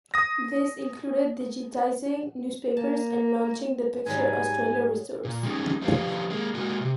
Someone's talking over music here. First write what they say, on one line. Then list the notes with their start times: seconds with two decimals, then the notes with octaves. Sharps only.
This included digitising newspapers and launching the Picture Australia resource.
0.14 D#6 A#6
2.77 A#3 A5
4.06 G#2 F#3 G3 G#5
5.25 A#2
5.43 G3 G#3 C#4 D#4
5.82 F3 D4 G4 B4 C#5 F5
6.30 G#3 A#3
6.54 G#3 A#3 F#4
6.81 C3